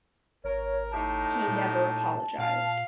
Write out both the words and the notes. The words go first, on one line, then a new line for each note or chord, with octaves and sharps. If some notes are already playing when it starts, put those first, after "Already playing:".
He never apologized.
G#1 A#4 C#5
A2 D#4 G4 A5
A#2
A#2 F5